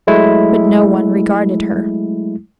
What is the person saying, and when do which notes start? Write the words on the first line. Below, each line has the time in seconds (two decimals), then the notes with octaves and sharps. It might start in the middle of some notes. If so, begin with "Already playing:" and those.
But no one regarded her.
0.07 F#3 G#3 A3 E4